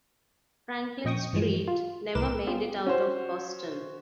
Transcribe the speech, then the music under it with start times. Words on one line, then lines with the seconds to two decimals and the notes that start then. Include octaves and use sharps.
"Franklin Street" never made it out of Boston.
1.04 F2 A#2 D#5 G5 C#6 D#6
1.33 G2 E3 F3 G#3
1.68 F4
2.15 C2 A2 A#4 B4 D6 E7
2.47 B3 C#4 F4 G4 G#4
2.86 C#4 F#4 C5